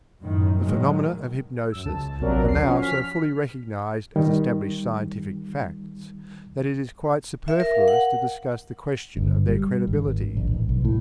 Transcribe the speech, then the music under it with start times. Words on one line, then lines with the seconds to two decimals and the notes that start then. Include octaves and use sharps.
The phenomena of hypnosis are now so fully recognized as established scientific facts that it is quite superfluous to discuss the question of their credibility.
0.23 F#2 A2 D#3
0.59 A2 D#3 F#3 G#3
1.72 F#2 E6
1.85 C#2 A5
2.20 A#1 C3 F#3 A#4 D5
2.45 D2 C7
2.62 F3 C#4 F#4
2.81 F6 B6
4.16 D#3 G3
7.48 E5
7.60 A#4
7.75 F5
7.88 F#5
9.17 G1
9.48 G3
9.87 G#1
10.37 A#1
10.51 A1
10.69 B1
10.85 A2